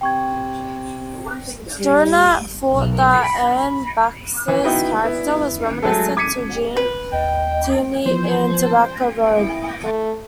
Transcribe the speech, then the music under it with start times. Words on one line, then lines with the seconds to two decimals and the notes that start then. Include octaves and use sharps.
Durgnat thought that Anne Baxter's character was reminiscent of Gene Tierney's in "Tobacco Road".
0.01 C3 G5 C#6 G#6
1.80 G3
2.71 B1
3.24 B5
4.48 E3
4.64 B3 D#4 E4 F#4 B4 G5
5.04 B3 E4
5.82 F#3 G#3 A3 A4
6.17 D6 G#6 B6 C#7 D#7
6.77 B4
7.13 D#2 D#5 G5
8.06 E3 F3 B3 C5
9.40 E4
9.84 A3